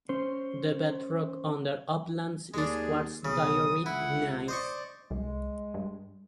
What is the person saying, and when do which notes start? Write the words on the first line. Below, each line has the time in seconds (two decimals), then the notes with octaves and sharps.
The bedrock under Uplands is quartz diorite gneiss.
0.09 C#4 C5
2.54 D#2 G#3 D4 G#4
3.25 B1 C#3 D#6
3.86 C#2 E4 F#5
4.48 C5 D5 D#5 C#6
5.11 C2 G#3
5.74 G2